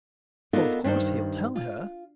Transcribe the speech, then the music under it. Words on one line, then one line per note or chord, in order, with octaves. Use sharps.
For of course he'll tell her.
B3 D4 D#4 F4 A4 A#4
G2 D#3 D4 C5
F4